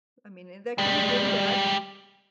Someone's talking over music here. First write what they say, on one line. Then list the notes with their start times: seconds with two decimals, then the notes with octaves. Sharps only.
I mean, and that could be good and bad.
0.78 G3 G#3